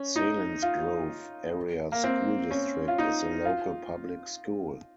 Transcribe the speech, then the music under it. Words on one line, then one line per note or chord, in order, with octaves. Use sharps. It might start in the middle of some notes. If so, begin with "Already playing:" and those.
Selinsgrove Area School District is the local public school.
Already playing: C#4
D#4
F4
A#3
C4
C#4
F4
D#4
F4